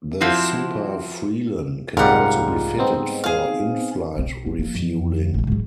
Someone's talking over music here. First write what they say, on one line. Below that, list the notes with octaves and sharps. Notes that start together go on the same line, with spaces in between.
The Super Frelon can also be fitted for inflight refueling.
F3 C4 E4 F#4
C2 G#2 G3 F4 A#4 F#5
B3 C4 D#4
G#4 F5
B1 C4
C4 F4
F3 A#3
F2
A1 D3
G#2 F#3